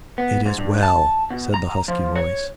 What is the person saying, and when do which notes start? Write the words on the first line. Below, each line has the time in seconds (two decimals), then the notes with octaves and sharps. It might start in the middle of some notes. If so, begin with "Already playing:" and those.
"It is well!" said the husky voice.
0.18 B3
0.46 G#2
0.58 G2
0.83 A5
1.30 B2
1.54 A#5
1.88 F3
2.16 C#5